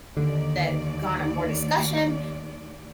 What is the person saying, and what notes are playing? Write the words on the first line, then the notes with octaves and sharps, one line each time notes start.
that garner more discussion
D#2 D3 D5